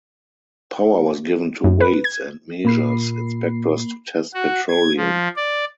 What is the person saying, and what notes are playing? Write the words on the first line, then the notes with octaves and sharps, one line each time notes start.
Power was given to Weights and Measures inspectors to test petroleum.
F#2
B4
G#6
A#2 A#3 B5 C7
F#4
G#6
F3
D5